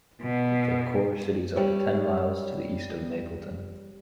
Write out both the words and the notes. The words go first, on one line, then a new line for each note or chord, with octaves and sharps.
The core cities are ten miles to the east of Mapleton.
B2
G3 C#5